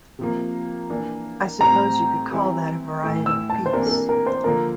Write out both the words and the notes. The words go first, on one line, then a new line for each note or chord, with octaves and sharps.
I suppose you could call that a variety of peace.
C3 F3 A#3
E3 A#3 D4
A2 G3 C4 A#5
E3 G3 C4 E4
A2 E3 A3 E4
E6
A5
C5
C3 E3 A#3 D4 A#4
A4
A#4
A#4
C5
D3 F3 A#3 D4 A#4